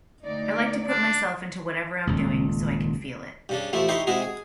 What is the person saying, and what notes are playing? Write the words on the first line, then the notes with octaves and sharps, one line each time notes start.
I like to put myself into whatever I'm doin' so I can feel it.
D2 D#4 D5
D4
D#1 C#2
G2 C#3 D4
A1 F3 A3 E4
D#4 E4 G4 C6 C#6
G#3 C4 E4 F#4 G#4
G#4